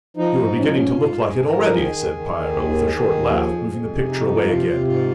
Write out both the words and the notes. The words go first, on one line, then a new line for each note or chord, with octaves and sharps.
"You are beginning to look like it already," said Piero, with a short laugh, moving the picture away again.
F3 D#4
G#2
F3 C#4
D#4
G#2 C#4
G#2 F4
G#2
G#4
G#2
A#4
F3
D#3 G#4
D#3
D#3
D#3
D#2
D#3
D#3
D#2
F3
F2
F2
C3
F2 D#4
F3
C3 F4
C3
G#2 F4